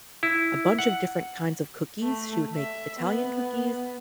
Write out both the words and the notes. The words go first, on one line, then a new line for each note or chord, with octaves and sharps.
a bunch of different kinds of cookies. She would make Italian cookies,
E4
F#5
A3
E5
B3